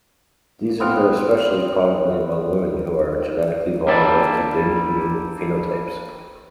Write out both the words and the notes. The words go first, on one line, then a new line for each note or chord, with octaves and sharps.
These occur especially prominently among women who are genetically vulnerable to binge eating phenotypes.
B3 C4 C5 F5
G3 A#3 D4 E4 D5